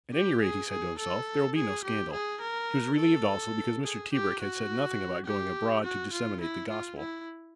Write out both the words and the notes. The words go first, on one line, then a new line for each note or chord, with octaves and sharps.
"At any rate," he said to himself, "there will be no scandal." He was relieved also because Mr. Tebrick had said nothing about going abroad to disseminate the Gospel.
G4
G#4
G#4
A4
G#4
G4
G#4
A#4
A4
G#4
G4
F#4
G4
F#4
F4
E4
F4
E4